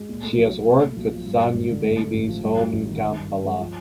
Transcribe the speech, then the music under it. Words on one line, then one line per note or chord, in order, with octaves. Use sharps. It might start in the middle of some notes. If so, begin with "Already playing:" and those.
She has worked with Sanyu babies home in Kampala.
Already playing: G#3
A#2
A3
B1
F#3
A#2
A3
B1
F3
G2
F#3
G#1
D3
G#2
A3
A1
F3
G2
F#3
A1
D#3
D#3
G2
G2
G#3
F3